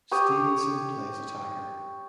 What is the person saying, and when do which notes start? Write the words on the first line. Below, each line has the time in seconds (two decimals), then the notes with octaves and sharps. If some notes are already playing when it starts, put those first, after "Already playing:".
Stevenson plays Attacker.
0.12 G4 C#5 D#6